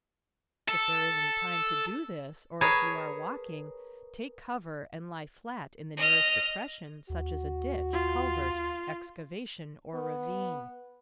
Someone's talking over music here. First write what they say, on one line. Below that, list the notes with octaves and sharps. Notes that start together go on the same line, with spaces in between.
If there isn't time to do this--or if you are walking--take cover and lie flat in the nearest depression, such as a ditch, culvert, excavation, or ravine.
A4
G#4 A#4 B4 C#5 G#5 A5
D#5 F6
D#2 F#4
F4
B3